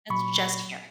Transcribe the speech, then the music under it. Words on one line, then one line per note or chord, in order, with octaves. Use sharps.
That's just here.
A#2 F#3 B5 C#6